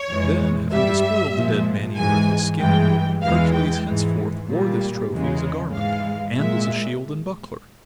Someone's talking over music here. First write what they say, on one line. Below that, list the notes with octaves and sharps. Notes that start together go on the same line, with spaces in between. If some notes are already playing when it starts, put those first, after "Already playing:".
Then, having despoiled the dead man-eater of his skin, Hercules henceforth wore this trophy as a garment, and as a shield and buckler.
Already playing: C#5
F2 E3 G#3
G2 G3 E5
A#2 F3 G#3
G#2 E3 G#3 G#5
G2 E3 G#3 G5
E2 E3 G#3 F5
G5
G#2 E3 G#3
A#2 G3
E2 C#3 E3 G#3
G#2 E3 G#3 F5
A#2 G#3 E5